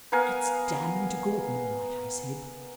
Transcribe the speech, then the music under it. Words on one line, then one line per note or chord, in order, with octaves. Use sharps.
"It's damning to Gordon, all right," I said.
B3 A#4 F5 G#5